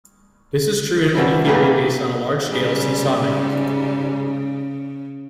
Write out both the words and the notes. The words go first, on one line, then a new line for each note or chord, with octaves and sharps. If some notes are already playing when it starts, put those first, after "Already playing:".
This is true in any theory based on a large-scale seesaw mechanism.
F#2 E3 F3 G3 E4
B1 A3 A#3 G4 G#4 B4
G#2 C#3 G3